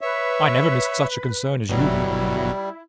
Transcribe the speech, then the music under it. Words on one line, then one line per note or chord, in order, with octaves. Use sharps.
"I never missed such a concern as you."
B4 C#5 E5
G1 B2 F#3 G3 E4